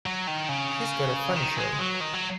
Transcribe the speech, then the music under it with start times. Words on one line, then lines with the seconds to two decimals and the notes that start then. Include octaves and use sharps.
He's got a funny show.
0.06 F#3
0.27 D#3
0.49 C#3
1.36 D#3
1.58 G#3
1.79 F#3
2.01 D#3
2.14 F#3